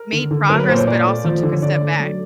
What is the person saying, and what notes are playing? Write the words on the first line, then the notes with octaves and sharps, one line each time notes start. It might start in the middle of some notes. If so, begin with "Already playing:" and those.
made progress, but also took a step back.
Already playing: A#4
D3
D3
F#3 A#4
B4
C#5
A#2 C5
C#5
A#2 D5
A3
F3
D3
C#5
D3 D5
A3
F#3